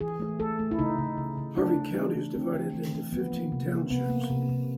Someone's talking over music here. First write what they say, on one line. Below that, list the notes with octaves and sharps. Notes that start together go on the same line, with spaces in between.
Harvey County is divided into fifteen townships.
E3 G#4
A3
A3 A4
A3
E4
C#3 D#4
C#3
C#3
C#3
A3 D4
C#3
E3
A3
A3 C4
C#3
A3
E3
F3 B3
A#3
C3
A#3
C3 B3
A#3
C3
C3